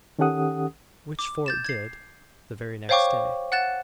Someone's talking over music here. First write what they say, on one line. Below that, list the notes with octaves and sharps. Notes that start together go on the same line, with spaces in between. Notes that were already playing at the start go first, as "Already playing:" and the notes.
Which Fort did, the very next day.
D#3 C#4 G4 A4 F#5 D#6
D6
G6 A6 E7
G#6 C7
C5 C#5 F5 G5 C#6 D6
F#5 F#6 A6 E7